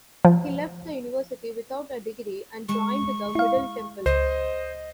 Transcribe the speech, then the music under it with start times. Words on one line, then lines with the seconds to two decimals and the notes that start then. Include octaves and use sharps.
He left the university without a degree, and joined the Middle Temple.
0.25 F3
2.69 G#3 C#6 E7
3.35 E4 F5
4.06 C#2 C5 D#5